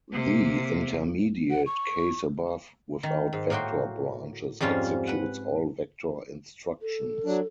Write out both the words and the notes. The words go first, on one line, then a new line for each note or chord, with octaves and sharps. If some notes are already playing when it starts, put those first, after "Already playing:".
The intermediate case above, without vector branches, executes all vector instructions.
C3 A#3
F#5
C#6
D#3
G#2
A2 A#3 F#4 G5 C6
F2 G#2 G3 C#4 F4
B4 F#5
A4
F#3 D4